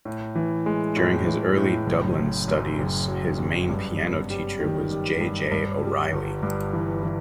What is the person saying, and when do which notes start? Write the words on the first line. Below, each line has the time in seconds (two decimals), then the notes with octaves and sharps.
During his early Dublin studies, his main piano teacher was J. J. O'Reilly.
0.05 A2
0.35 E3
0.66 G#3
0.96 A2
1.26 E3
1.57 A2
1.87 F#1
2.17 F#1
2.48 F#2
2.78 F#1
3.08 F#3
3.39 F#2
3.69 G2
4.00 B3
4.30 G3
4.60 D#3
4.91 G3
5.21 G2
5.51 G2
5.82 G3
6.12 G1
6.43 G2
6.73 E3
7.03 E3